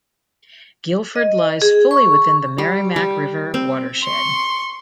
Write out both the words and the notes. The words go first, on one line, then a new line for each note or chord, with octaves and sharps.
Gilford lies fully within the Merrimack River watershed.
D#5
G#4
C#6
G3
G3
C4
C6 C#6